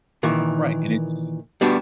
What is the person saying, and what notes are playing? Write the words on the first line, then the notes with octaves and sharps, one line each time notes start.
Right, and it's
A#2 D#3 E3
G3 B3 D4 F#4